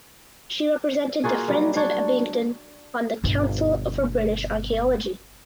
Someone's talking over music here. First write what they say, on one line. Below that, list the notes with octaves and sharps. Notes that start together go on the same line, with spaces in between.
She represented the Friends of Abingdon on the Council for British Archaeology.
A#3 F4 F#4 G#4
F#3 G3
D4 C#5
G1 B2